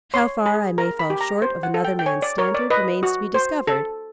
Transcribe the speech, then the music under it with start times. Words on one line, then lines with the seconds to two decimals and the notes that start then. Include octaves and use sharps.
How far I may fall short of another man's standard, remains to be discovered.
0.14 C#5 C6
0.46 G#4 B5
0.78 A#4 A#5
0.99 B5
1.10 G4
1.21 A#5
1.42 C5
1.63 F#5
1.74 A4
1.85 G5
1.99 G5
2.06 C#5 G#5
2.22 D5
2.38 A#4 C#5
2.55 D5
2.70 B4 D#5
3.03 F#4
3.34 C5
3.67 A4